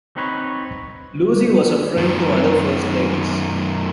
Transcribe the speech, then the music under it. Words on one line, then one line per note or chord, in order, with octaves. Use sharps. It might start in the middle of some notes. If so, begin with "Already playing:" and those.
Lucy was a friend to other First Ladies.
C4 D#4 B4 C#5
F#2 D#3